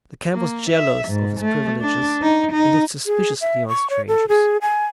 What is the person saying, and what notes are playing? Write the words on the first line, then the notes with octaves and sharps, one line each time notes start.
The camp was jealous of its privileges and looked suspiciously on strangers.
A#3
E5
G#2
A3
D4
D#4
D#4
G#4
E5
C#6
C#5
A4
G#4
G#5